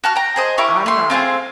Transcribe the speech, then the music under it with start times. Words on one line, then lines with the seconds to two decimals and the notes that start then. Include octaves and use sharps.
I'm not
0.04 F#4 A5 F6
0.16 G5 A#5
0.36 G#4 C5 D#5
0.58 E4 G4 A#4 C#6
0.86 A3 C6
1.10 C4 F4 G4 G#4